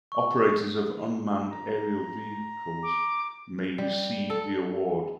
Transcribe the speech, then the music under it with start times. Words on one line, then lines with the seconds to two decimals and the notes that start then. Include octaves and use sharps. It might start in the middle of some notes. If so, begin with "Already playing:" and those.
Operators of Unmanned aerial vehicles may receive the award.
0.12 C#6
1.51 A#5
2.83 D6
3.78 G3
4.30 A4